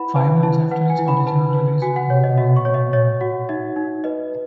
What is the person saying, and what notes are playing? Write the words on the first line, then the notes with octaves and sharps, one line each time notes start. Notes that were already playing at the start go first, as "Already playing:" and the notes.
Five months after its original release, Boom, Boom, Boom, Boom!!
Already playing: E4 B4 F#5 B5
B4 A5
E4 A5
B4 F#5
G#5
E4
B5
B4 A5
B4
F#4 G#5
F#5
C#5
D#5
F#4 E5
C#6
C#5
E5
C#5 E5
F#4 F#5
D#4 E5
D#4
B4 D#5